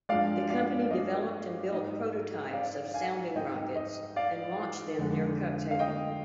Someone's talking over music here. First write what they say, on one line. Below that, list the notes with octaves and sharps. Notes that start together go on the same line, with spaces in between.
The company developed and built prototypes of sounding rockets and launched them near Cuxhaven.
G2 F3 G#3 D5 F5
D5 F5
D#5
G#2 G3 D#5
D5 F5
F5 G#5
G#2 G3 D#5 G5
D#5
D5 F5
F2 D3 G#3
F5
D#5 G5